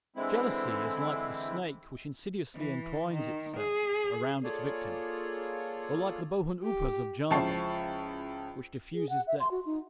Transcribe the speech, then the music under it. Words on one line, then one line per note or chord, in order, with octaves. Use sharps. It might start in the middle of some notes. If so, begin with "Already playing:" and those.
Jealousy is like the snake which insidiously entwines itself around its victim; or like the bohun upas of Java, which diffuses death.
D3 E3 G#3 C4 E4
E3
D#3
G#4
A#3 F4 G#4 A4 C#5 D5
G4
C#2 F3 E4 A5 C#6 C7
G#4
F#5
E5
C6
F#4
D#4